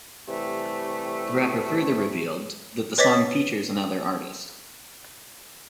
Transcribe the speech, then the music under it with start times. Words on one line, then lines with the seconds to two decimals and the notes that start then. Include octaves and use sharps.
The rapper further revealed that the song features another artist.
0.27 C3 E3 G3 A3
2.98 B4 C#5 D#5 D6 A6 B6